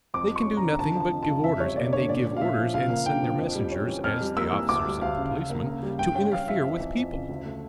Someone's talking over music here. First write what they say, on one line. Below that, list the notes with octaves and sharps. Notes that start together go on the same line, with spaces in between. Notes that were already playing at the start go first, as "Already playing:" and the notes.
They can do nothing but give orders, and they give orders and send their messengers, as the officer sent the policeman, to interfere with people.
F2 D6
G3
C#6
C#4
D3 A#5
F2 A5
F3
A5
F2
A5
C#3
F2 E5
G3 C#5
A#3 D5
D3 C#5
A#2 D5
C#4
F5
A#2 E5
F3
C#3 F5
A#3
D4 G5
F3
F2
G3
C#4
E3
F2 F6
G3
A#3 E6
E3
D2 D6
G3
D2 F5
C#3
C#3
A#3
C#3
G3
G2 G5
C#4 G5
G2 F5
F3 E5
F2
E3
F2
C#3
D2
A3